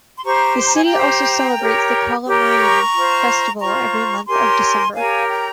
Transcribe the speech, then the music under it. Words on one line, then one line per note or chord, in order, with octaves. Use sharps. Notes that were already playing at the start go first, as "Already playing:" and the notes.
The City also celebrates the Kalamayan Festival every month of December.
C6
G4 C5 A#5 C#6
C6
A#5
G#5
G5 A#5
G4 C5
G4 A#4 C#5
G4 A#4 C#5
A#5 C#6
F4 C5
F4 C5 A#5 C#6
G4 A#4 C#5 G#5 C6
G4 A#4 C#5 F5 G#5
G5 A#5